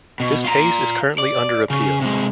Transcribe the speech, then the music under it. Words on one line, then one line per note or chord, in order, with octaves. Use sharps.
This case is currently under appeal.
B2
F4 A#5
D5
C#3
C3 G#3